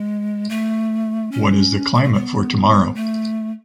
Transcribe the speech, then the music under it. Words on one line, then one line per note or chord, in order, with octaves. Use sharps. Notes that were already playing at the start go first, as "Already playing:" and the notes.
What is the climate for tomorrow?
Already playing: G#3
A3
C#4
G#3
A3
B3
A3